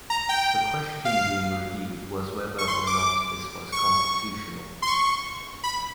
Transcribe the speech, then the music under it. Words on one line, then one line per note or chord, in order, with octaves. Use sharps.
The question being reviewed was whether or not this was constitutional.
A#5
G5
F5
C#6
C6
D6
C#6
C6
C#6
B5